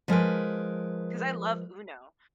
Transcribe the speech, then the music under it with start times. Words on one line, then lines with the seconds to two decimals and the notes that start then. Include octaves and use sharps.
'cause I love UNO,
0.08 F3 G#3 A#4 B4